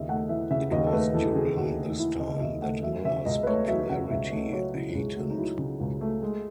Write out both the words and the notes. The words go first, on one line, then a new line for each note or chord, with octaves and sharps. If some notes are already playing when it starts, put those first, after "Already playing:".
It was during this time that Miller's popularity heightened.
Already playing: D#2 C#3 D#5 E5
A3 F#5
E3 E5
C#3 E5
D#2 D#5
A4
A3 B4
E3 A4
C#3 G#4
D#2 F#4
A3 D#4
E3 E4
C#3 D#5
D#5
D#2 E5
A3 F#5
F#3 E5
C#3 E5
C#2 D#5
B4
A3 C#5
F#3 E5
C#3 F#5
C#2 E5
A3 D#5
F#3 C#5
C#3 E4
C#2 G#4
A3 F#4
D#4
F#3 E4
C#3
C#2
A3
G#3